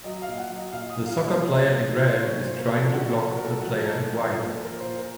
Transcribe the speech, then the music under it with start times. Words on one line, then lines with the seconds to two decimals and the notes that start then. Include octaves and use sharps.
The soccer player in red is trying to block the player in white.
0.04 F#3 D#5
0.22 F5
0.27 A#2
0.38 F#5
0.50 F#3
0.56 D#5
0.72 A#2 F5
0.90 D#6
0.95 F#3
1.06 F5
1.18 A#2
1.24 D#5
1.40 F#3 C#5
1.57 C#5
1.63 A#2
1.85 F#3
1.91 C5
2.08 A#2 C5
2.25 C#5
2.31 F#3
2.42 C5
2.54 A#2 A#4
2.76 F3 A4
2.93 F#4
2.99 A2
3.06 F#4
3.10 A4
3.22 F3
3.28 F#4
3.37 A#4
3.44 A2 A4
3.61 F#4
3.67 F3 A#4
3.79 A4
3.89 A2
3.95 A4
4.13 F3 A#4
4.29 A4
4.35 A#2
4.46 A4
4.58 F3
4.64 A#4
4.80 A#2 C5
4.98 A#4